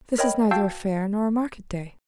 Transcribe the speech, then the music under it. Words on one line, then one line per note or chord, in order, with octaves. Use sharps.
This is neither a fair nor a market day.
A#4 C#5 D#5 G5 B5
F#4 F5 G5 A5 E6 G6